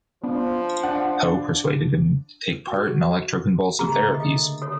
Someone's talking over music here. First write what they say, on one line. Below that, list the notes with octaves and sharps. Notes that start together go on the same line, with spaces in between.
Hoe persuaded him to take part in electroconvulsive therapies.
F3 B3 D4
D4 F#5
F#4
C#3 A3 A#3 G#4 A#5
D3 A4 D#5
A4 C#5